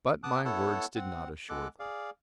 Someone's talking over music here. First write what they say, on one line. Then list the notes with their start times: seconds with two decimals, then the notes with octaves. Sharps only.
But my words did not assure them.
0.23 B3 A5 D6 D#6 F#6
0.45 B3 E4 A4 C#5 F#5 A5
0.95 C4 F#5
1.49 G#3 B3 A4 D6 F#6
1.79 G#4 D5 F5